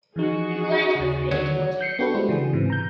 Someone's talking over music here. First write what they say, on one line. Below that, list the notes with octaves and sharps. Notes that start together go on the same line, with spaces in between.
He glanced with pity towards Harry.
E3 F3 D#4 F#4 G#4
D#2 C#3
D3 D#3 F#3
G6 C7 C#7
B3 D4 F#4 G4 A4 B4
G#3 D4 E4 F#4 C5
C#3 E3 G#4
G#2 C3 E3
A#5 G6